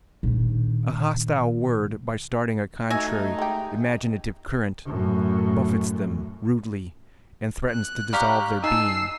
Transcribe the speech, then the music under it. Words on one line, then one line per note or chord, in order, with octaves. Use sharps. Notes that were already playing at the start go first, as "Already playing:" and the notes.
A hostile word, by starting a contrary imaginative current, buffets them rudely and threatens to dissolve their being.
A#1 D#3
A3 D#4 F#4 E5 G#5
G#3 G4
F#2 A2
F#6
G4 D5 F5 A#5 C#6 F6
D#4 G#5 A5 E6 C7